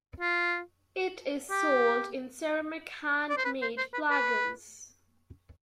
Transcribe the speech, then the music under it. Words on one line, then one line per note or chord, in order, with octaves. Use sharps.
It is sold in ceramic handmade flagons.
F4
G4
D5
C5
B4
C5
C5
B4
B4